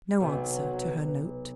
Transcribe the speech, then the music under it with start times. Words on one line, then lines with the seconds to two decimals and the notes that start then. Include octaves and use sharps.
No answer to her note?
0.20 B1 C3 F#3 B4